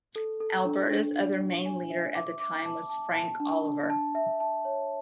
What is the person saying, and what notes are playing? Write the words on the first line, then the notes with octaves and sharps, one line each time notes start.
Alberta's other main leader at the time was Frank Oliver.
A4
A4
D4
D4
D4
D4
G#5
E5
D6
D6
A5
A5
A5
D4
D4
A5
E5
A5
C#5